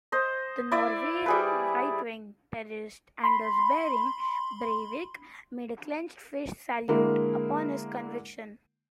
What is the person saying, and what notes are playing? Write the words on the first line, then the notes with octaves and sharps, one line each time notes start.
The Norwegian right-wing terrorist Anders Behring Breivik made a clenched-fist salute upon his conviction.
C5 D#5
E4 D5 E5
G3 G#4 B4
B5 C6
D3 G#3 A#3 E4 A#4